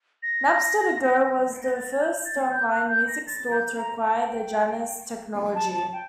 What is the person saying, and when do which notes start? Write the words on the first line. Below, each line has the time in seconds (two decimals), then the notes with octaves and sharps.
Napster To Go was the first online music store to require the Janus technology.
0.23 A#6
1.63 A#6
1.74 A6
2.00 G6
2.25 A6
2.51 G6
2.70 F#6
2.88 G6
3.08 A#6
3.27 A6
3.52 G6
3.77 A#5
4.03 G5
5.55 A5
5.73 A5
5.92 G5